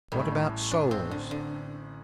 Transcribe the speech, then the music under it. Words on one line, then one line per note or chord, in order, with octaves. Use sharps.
"What about souls?"
A1 A2 G3 A3
D4
C4
D3
D3